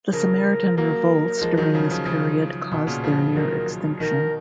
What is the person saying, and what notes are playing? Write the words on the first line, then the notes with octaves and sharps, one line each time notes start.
The Samaritan Revolts during this period caused their near extinction.
C#3 F3 A#4
F#3 A#3 A#4
F3 G#3
D#3 F#3
C#3 F3
C#3 F3
C#3 F3
B2
A#2 C#3
C#3 F3
D#3 F#3 A#4
B2 D#3 A#4